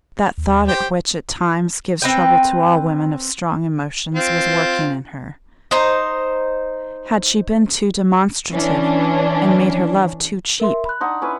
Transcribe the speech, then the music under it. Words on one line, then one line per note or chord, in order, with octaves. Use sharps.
That thought which at times gives trouble to all women of strong emotions was working in her: had she been too demonstrative, and made her love too cheap?
D#2
G4 C5 G5
C4 B4 G5
C4 F4
D#4 C5 A#5
E3 C#4 D4
A#4 E5 C6
B5 F#6
D4 D#4 F#5 C6
C#4 E4 B4